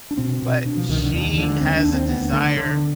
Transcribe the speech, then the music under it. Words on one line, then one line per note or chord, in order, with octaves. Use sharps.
But she has a desire
D4
B2 C4
B2
B2 D4
F3
C2 D#3
D3
D#2 D3
D3 F3
G#3
D#2 C4
D4
D#2
C4
D2 B3
D3
D3